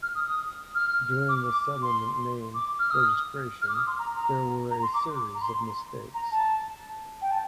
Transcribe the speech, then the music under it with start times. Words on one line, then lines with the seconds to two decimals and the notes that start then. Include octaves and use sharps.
During the settlement name registration there were a series of mistakes.
0.02 F6
0.15 D#6
0.26 D#6
0.75 F6
1.10 F6
1.28 D6
1.46 D6
1.82 C6
2.54 D6
2.79 F6
2.91 D#6
3.62 F6
3.69 D6
3.75 D#6
3.87 C6
3.99 A#5
4.16 A#5
4.71 A#5
4.82 C6
4.94 D6
5.35 A#5
5.42 C6
6.14 A#5
6.32 A5
7.21 G5
7.31 A5